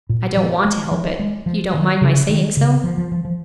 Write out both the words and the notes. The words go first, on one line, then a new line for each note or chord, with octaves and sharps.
I don't want to help it; you don't mind my saying so?'
A#2
F3
G#3
F3
G#3
F3
D#3
C#3
D#3
C#3
F3
F3
F3
F3